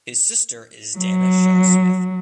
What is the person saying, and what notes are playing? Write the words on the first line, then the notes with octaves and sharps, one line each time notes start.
His sister is Dana Shell Smith.
F#3